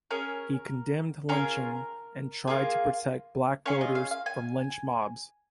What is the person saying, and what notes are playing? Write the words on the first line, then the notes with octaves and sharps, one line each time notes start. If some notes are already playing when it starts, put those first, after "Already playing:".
He condemned lynching and tried to protect black voters from lynch mobs.
C#4 G#4 A#4
C#4 F4 G#4 A#4
A#3 F4 G#4
C#4 F4 G#4 C#5
D#5
F5
F5
G#5